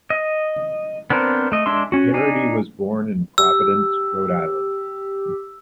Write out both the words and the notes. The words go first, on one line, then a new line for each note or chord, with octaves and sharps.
Gerety was born in Providence, Rhode Island.
D#5
B3 C4 D4 A#4 C5
A3 D#5
G#3 D4 E5 C6
C#4 F#4
D4 D#4 G#5
G4 E6